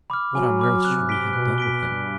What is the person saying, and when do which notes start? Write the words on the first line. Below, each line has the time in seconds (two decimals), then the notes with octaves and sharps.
"What on earth should we have done with him?"
0.10 B5 D6 F6
0.34 F#3 G#5
0.59 B5 D6 F6
0.84 C3 F#6
1.09 B6 D7 G7
1.33 B2 F#6
1.58 B6 D7 G7
1.83 G2 F#6